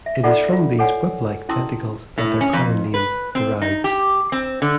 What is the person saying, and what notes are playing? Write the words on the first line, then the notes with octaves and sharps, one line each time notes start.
It is from these 'whip-like' tentacles that their common name derives.
E5
D#4 F4 A4 D5 F#5
F4
A4 C#5 F#5 G#5
C#4 E4 A5 C6 D#6 E6
A2
C#4
F2
B4
C4
D#4
G4
C4
D3